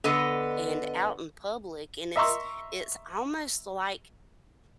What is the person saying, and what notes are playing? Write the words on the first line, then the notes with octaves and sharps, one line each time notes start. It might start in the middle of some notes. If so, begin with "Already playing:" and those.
and out in public, and it's it's almost like
D3 B3 D#5
D#5 E5 A#5 C6 C#6 E6